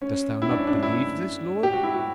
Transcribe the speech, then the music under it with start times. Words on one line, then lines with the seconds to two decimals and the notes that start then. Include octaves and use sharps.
"Dost thou not believe this, lord?"
0.02 C#4
0.42 E4
0.51 D4
0.59 C#4
0.67 D4
0.83 E4
1.63 G4
1.73 F#4
1.83 E4
1.94 F#4